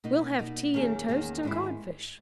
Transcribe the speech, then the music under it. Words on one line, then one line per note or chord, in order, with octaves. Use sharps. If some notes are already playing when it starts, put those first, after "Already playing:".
"We'll have tea and toast and codfish."
B2 A#3 D#4
B2 A#3 D#4
E2 D#3 A#3 C#4 G#4
E2 D#3 A#3 C#4 G#4
G#2 D#3 G#3 B3 E4